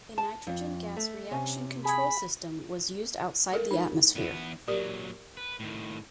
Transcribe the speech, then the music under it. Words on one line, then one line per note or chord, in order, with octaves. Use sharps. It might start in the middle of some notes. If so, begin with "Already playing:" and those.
A nitrogen-gas reaction control system was used outside the atmosphere.
A5
F2
A3
C3 C#4
G#4 G#5 B5
G#3 A4 A#4
D#4
E2 B3
A#2 F#3 G4 A#4 D5
B4
A2 D#3